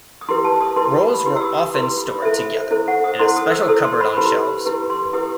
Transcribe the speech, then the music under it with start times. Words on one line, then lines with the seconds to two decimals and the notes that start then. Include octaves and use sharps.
Rolls were often stored together in a special cupboard on shelves.
0.21 D#6
0.29 E4 G4 B4 C6
0.45 A5
0.61 D#6
0.76 E4 G4 B4 C6
1.01 B5
1.25 E4 G4 B4 C6
1.36 E6
1.42 D#6
1.58 D#6
1.74 E4 G4 B4 C6
1.98 B5
2.22 E4 A4 C5 E5
2.71 E4 A4 C5
2.88 F#5
3.04 D#6
3.19 E4 A4 C5 C6
3.36 D#6
3.52 E6
3.68 E4 A4 C5 D#6
3.84 C6
4.01 B5
4.17 E4 G4 B4 C6
4.66 E4 G4 B4
4.90 C6
5.13 E4 G4 B4 D#6